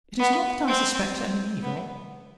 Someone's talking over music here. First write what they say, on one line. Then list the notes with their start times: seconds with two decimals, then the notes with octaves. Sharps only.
It is not that I suspect any evil.
0.19 B3
0.67 C4
1.63 B3